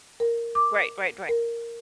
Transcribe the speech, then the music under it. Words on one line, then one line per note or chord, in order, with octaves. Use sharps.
Right, right, right.
A#4
D6
A#4